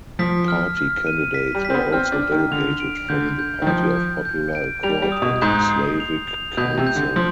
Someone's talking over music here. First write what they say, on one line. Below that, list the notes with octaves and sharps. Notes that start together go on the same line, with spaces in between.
Party candidates were also delegated from the Party of Popular Accord and Slavic Council.
F3 B6
F6
F6
D#7
B6
G3
B6
C4
B3
C4 F6
D4
F6
D#3
D3 F7
D7
D3 G6
G6
D#3
F3 G6
G6
G6
D7
G3 F7
G3
D#6
B2
G#2 G6
C7
F7
F7
B2 G6
C3
G6
D3
F3 C6